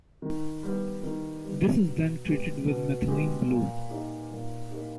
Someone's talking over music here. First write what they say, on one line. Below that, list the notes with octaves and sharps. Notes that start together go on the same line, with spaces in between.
This is then treated with methylene blue.
D#3
G3 B3
D#3
G3 B3
B2
G#3 B3 G4
B2
G#3 B3 G4
A#2
A#3 D#4 G4
A#2
A#3 D#4 G4